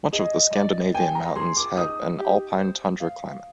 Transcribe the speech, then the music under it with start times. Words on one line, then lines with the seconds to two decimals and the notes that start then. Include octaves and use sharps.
Much of the Scandinavian mountains have an alpine tundra climate.
0.13 G#4 D#5
0.53 D5
0.94 G5 G#5
1.15 A#5
1.36 G#4 C6
1.57 D6
1.77 D#4 D#6
2.19 G4
2.59 C5
3.00 F5